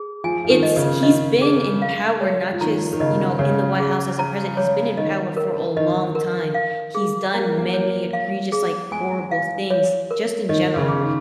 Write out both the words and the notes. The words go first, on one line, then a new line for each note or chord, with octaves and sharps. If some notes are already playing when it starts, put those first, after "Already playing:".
it's he's been in power not just, you know, in the White House as a president. He's been in power for a long time. He's done many egregious, like, horrible things, just in general.
Already playing: G#4
F3 G#5
F3
D#3
D#5
C#3
D#3 D#5
G#4
F5
C#5
F3
D#3 A#5
D#3
C#3 D#5
C#3 C#5
G#4
A#5
C#5
D#3 D#5
A#4
D#3 D#5
A#4
F5
G#4
A#3 A#5
A#3
C#5
F5
G#4
G#3 G#5
F5
C#5
A#4
D#3 D#5
C#3
G#4
D#3